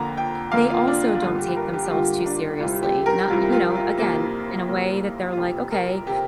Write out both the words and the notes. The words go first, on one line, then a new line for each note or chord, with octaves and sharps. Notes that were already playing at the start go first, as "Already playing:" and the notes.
they also don't take themselves too seriously, not you know, again, in a way that they're like, "Okay."
Already playing: F2 D3 A#3 A#5
G5
F2 D3 A#3 F5
F4
D4
F4
G1 G2 D3 F4
G4
A#4
G4
G4
G1 G2 D3 F4
D4
C2 C3 G3 F4
G4
A#4
C2 C3 G3 F4
F4
F4
F2 C3 A#3
F2 C3 A#3
F4
F1 F2 C3 G4
A#4
C3 G4